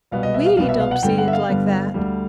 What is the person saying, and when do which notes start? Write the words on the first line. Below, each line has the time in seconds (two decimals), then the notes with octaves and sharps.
We don't see it like that.
0.11 C2 B2 G3 B3 F5
0.23 D#5
0.34 E5
0.46 F5
0.57 C2 B2 G3 B3 F5
0.69 E5
0.80 F5
0.91 F#5
1.02 G2 D3 G3 B3 G5
1.18 F#5
1.28 E5
1.33 F5
1.49 G2 D3 G3 B3
1.94 D2 D3 G3